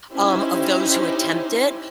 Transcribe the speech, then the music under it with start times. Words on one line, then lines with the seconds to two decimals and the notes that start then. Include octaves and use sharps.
um, of those who attempt it
0.12 C#4 D#4 E4 G4 C5